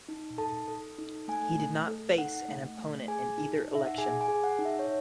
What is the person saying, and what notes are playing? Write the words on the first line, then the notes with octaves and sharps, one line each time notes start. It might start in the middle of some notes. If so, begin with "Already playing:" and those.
He did not face an opponent in either election.
D#4
A4 A5
A4
D#4
A3 G#5
A3
A4
D#4 F#5
A3
A3
G#4 G#5
D#4
D#4
E5
F#5
G#4 G#5
G#5
G#4
F#5
D#4
E5
C#5